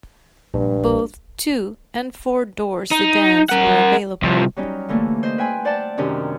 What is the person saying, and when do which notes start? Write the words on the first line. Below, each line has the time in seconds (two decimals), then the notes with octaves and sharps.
Both two- and four-door sedans were available.
0.54 A#1 G2
2.92 D#4
3.49 A#4 F#5
4.22 C2 F3
4.57 F#3 G3 C#4 D#4
4.89 D3 E3 A3 A#3
5.23 C5 D#5
5.38 B4 E5 G5 G#5 C6
5.65 C5 D5 F#5 G5 A5
5.97 F#2 C3 D#3 C#4 D4